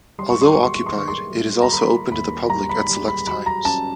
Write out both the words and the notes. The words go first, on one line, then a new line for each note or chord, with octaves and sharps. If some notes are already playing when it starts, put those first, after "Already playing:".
Although occupied, it is also open to the public at select times.
G3 C6
C#6
C6
A#3 C#6
C6
C#6
C6
D#3 C#6
C6
G3
A#5
A#3 B5
D#2 B5
G3 A#5
B5
G3
B5
F#3 B5
A#5
C#4 A5